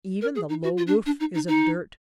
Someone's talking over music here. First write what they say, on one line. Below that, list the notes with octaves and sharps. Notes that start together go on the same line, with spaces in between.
Even the low roof is of dirt.
A#4
G#4
D#4
F#4
F4
D4
D4
D#4
D#4
D#4